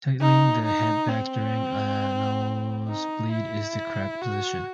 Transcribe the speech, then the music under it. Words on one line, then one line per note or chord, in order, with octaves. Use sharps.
Tilting the head back during a nosebleed is the correct position.
D#4
D#4
C4
D#4
E4
F#4